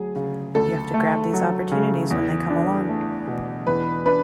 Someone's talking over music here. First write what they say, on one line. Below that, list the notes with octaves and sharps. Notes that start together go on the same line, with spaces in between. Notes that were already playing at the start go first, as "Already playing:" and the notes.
You have to grab these opportunities when they come along.
Already playing: D2 F#3 G#4
C#3
D2 A4
A3
F#3
C#3
E2
D4
A3
B2
E2 B4
D4 B4